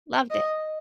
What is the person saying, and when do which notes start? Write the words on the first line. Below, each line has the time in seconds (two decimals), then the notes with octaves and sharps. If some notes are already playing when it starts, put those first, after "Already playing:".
Loved it.
0.30 D#5